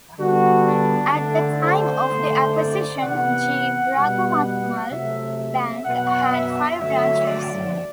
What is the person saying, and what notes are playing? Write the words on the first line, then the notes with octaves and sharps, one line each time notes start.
At the time of the acquisition G. Raghumathmul Bank had five branches.
D3 G3 B3 F#4
D4
D3 A3 D4
C5
D3 A3
D5
C3 E3 B3 F#5
B2 G3 B3
F#5
C3 F#3 A3 E5
E5
B2 F#3 B3 F#5
E5
D3 F#3 A3 E5
D5